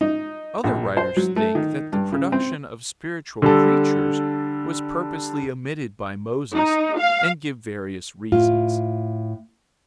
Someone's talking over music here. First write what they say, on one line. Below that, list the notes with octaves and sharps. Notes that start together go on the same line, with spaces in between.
Other writers think that the production of spiritual creatures was purposely omitted by Moses, and give various reasons.
D#4
A#1
C5
F#3
A3
D#3
G2
C#3
C4
D3 G3 A4
D#4
F5
A2 F4